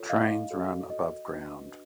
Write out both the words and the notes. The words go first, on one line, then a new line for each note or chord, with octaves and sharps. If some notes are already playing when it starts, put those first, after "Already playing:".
Trains run above ground.
Already playing: F4 A4 C#5
D#5 F5
F#4 A4 C#5
D#5
D4 F#4 B4